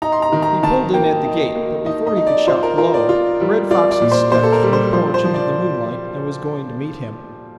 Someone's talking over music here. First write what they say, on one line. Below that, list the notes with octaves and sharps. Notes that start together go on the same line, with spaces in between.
He pulled in at the gate, but before he could shout "Hello" the Red Fox had stepped from the porch into the moonlight and was going to meet him.
D#4 A#5
C6
A#5
D#3
A#5
D#3 A5
A#3 G5
D#4
A#3
D#4 D#5
D#5
D#4
D5
F4 C5
A#4
F4 A#4
D5
F4
G3
F4 D5
D5
A#2
C5
A#2 C5
A4
A#4
G3
C5
F3 C5
C5
F3
D5